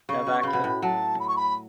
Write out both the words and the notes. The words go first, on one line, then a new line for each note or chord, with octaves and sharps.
De Vecchi.
C#3 C#6
B2
C#6
C#3 B5
B2
A2
F#3 A5
B5
C#6
B5